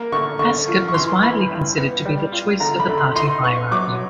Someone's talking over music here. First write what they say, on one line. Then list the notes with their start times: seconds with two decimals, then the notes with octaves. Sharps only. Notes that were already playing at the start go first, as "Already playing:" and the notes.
Haskett was widely considered to be the choice of the party hierarchy.
Already playing: A#3
0.12 D3 C#6
0.39 D3 C#6
0.68 F3
0.88 C#6
0.94 E3 C6
1.22 E3 B5
1.51 G2
1.78 B3
2.05 G3
2.32 F4
2.60 D3 A#5
2.80 B5
2.89 D3
2.97 C6
3.15 D#4 C6
3.43 B3 C#6
3.71 F#3 D6